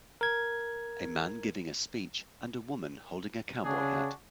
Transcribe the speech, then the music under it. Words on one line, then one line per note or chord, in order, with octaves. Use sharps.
A man giving a speech, and a woman holding a cowboy hat.
A#4 G#6
C#3 D4 F#4 G#4